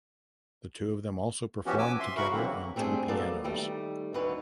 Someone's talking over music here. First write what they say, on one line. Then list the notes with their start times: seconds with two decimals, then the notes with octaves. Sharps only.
The two of them also performed together on two pianos.
1.66 E3 F3 B3 C#4 F#4 G4
1.78 G#5 D6 E6
2.00 E5 C6
2.17 C#3 F#4 A#4 B5 C#6
2.32 D3 E3 F#3 A#3 C4
2.76 G3 A3 C4 D4 G#4
3.08 F#3 A#3 B3 A4 D5
3.44 D#3 G3 A3
4.14 D2 D3 D#3 B4 C#5